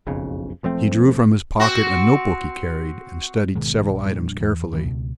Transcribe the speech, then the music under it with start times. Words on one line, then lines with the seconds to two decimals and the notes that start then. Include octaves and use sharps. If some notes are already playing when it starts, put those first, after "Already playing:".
He drew from his pocket a notebook he carried, and studied several items carefully.
0.07 F#1 B1 F2 C#3
0.63 E1 F3 A3 C4
1.60 C4 F#4
3.55 G#1 B2 D#3 G#3
3.89 A#1
4.05 F2 A#2 G3 D4
4.40 E2
4.73 G2 E3
4.85 C#2 B2